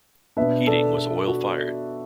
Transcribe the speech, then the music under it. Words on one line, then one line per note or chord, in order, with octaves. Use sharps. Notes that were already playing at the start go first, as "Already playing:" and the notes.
Heating was oil fired.
B2 B3 D4 B4 E5
A4 D5
A4
F#4